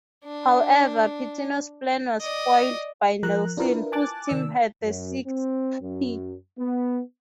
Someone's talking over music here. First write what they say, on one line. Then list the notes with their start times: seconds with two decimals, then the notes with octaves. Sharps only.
However, Pitino's plan was foiled by Nelson, whose team had the sixth pick.
0.25 D4
2.21 D5 D#5
3.23 F3 A#4 A#5 F#6
3.57 D4 E4 F4 A#4 B4
3.92 G#5 A5 D6 F#6 A6
4.29 C3 D#3 D5 E6
4.83 F#2
5.27 C4
5.81 F#2
6.58 B3